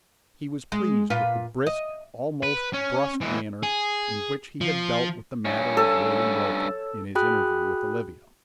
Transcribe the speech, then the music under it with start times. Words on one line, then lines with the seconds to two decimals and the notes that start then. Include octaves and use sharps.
He was pleased with the brisk, almost brusque, manner in which he had dealt with the matter of William Roper, in his interview with Olivia.
0.72 G#3
1.10 A#2 F4 B4
1.67 D#5
2.43 B4
2.73 C#4
3.21 E3 G#3
3.63 G#4
4.61 F3
5.45 G2 C#4 C#5
5.77 A4
7.15 F#4 G#4 G5 B5 D#6 F#6